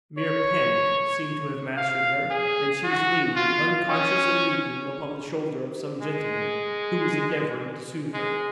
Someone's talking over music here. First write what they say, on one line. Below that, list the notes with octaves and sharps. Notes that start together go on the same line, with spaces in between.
Mere panic seemed to have mastered her; and she was leaning, unconscious and weeping, upon the shoulder of some gentleman, who was endeavoring to soothe her.
C#5
F5
G#4
F#4
F4
C#4
G#3
G#3